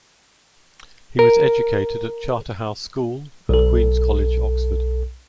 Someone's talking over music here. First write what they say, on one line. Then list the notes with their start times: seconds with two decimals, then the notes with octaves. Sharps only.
He was educated at Charterhouse School and Queen's College, Oxford.
1.19 A#4
3.49 B1 A4